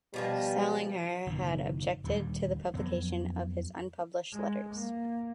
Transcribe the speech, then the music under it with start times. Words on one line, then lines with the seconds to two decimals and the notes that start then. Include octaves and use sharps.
Salinger had objected to the publication of his unpublished letters.
0.14 B2 F3 G3 G#5
1.26 F#1 B2 D#3
2.04 D#1 D2 G3
2.74 F2 F#3 B3
4.32 G#3
4.74 A#3